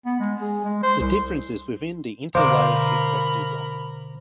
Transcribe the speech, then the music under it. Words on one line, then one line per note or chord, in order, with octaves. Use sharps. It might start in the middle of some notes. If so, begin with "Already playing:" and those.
The difference is within the interlayer shift vectors only.
B3
G#3
G#4
G#3
C5
C2
B2 D3 A#4 C5 F5 B5 D6